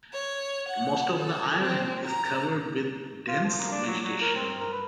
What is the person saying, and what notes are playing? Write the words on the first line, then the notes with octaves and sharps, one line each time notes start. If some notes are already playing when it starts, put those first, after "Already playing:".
Most of the island is covered with dense vegetation.
C#5
F#5
A4
C4
A#5
F4
F3
A#3
D4
F#3
F#3
A#4
C4
A#4
B4